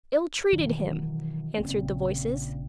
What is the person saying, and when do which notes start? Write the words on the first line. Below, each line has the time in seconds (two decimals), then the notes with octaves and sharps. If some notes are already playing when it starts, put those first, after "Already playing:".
'Ill-treated him!' answered the voices.
0.53 B2 D#3 E3 F#3
1.57 A#1 A#2 C#3 C4